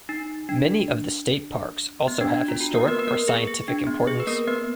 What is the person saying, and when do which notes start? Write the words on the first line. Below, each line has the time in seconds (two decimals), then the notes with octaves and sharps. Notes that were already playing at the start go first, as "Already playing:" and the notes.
Many of the state parks also have historic or scientific importance.
0.09 D#4
0.49 D4
2.08 B3
2.21 D4
2.34 D4
2.48 F4
2.61 F#4
2.74 A#3 A#4
2.88 B3 B4
2.99 B4
3.07 A#3 A#4
3.28 G#4
3.47 G#4
3.68 D4
3.87 B3
4.07 G#4
4.20 B4
4.27 A#3 A#4
4.48 B3 B4